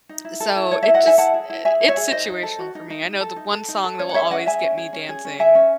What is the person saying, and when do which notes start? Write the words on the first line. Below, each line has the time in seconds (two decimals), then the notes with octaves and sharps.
so it just eh, it's situational for me. I know the one song that will always get me dancing,
0.09 D#4
0.25 E4
0.40 A4
0.56 E4
0.71 A4 C#5
0.83 C#5 E5
0.87 E4
0.94 D#5 F#5
1.03 A4 E5 G#5
1.18 E4 F#5 A5
1.34 G#4
1.50 E4
1.65 G#4 E5 G#5
1.80 E4
1.88 C#5 E5
1.97 G#4
2.12 D#4 C5 D#5
2.28 D#4
2.43 A4
2.59 F#4
2.75 D#4
2.90 D#4
3.05 D#4
3.21 A4
3.36 D#4
3.53 A4
3.68 D#4
3.84 A4
3.99 C#4 C#5
4.09 F#5
4.14 G#4 C#5 E5
4.30 C#4 D#5 F#5
4.46 G#4 E5 G#5
4.62 C#4
4.78 G#4
4.93 C#4
5.09 G#4
5.25 C#4
5.40 G#4 E5 G#5
5.55 C#4